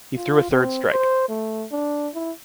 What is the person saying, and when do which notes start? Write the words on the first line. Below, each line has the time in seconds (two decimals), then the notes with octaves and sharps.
He threw a third strike.
0.17 F4
0.51 C4
0.92 C5
1.29 A3
1.72 D4
2.14 E4